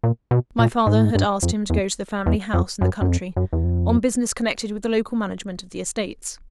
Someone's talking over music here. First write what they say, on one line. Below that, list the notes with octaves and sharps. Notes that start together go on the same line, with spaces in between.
My father had asked him to go to the family house, in the country, on business connected with the local management of the estates.
A#2
B2
A#2
G#2
A2
G#2
G2
F2
E2
E2
F2
F#2
F#2
F2
F#2
E2
F2